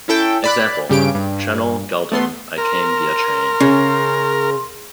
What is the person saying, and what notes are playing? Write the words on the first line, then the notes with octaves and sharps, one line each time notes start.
Example: Trenle geldim "I came via train".
C#4 E4 A4 G5
D5 B5 F#6
G2 C#3 G4 D7
G2
A3 B3 C6
A#4 C6
C#3 C#4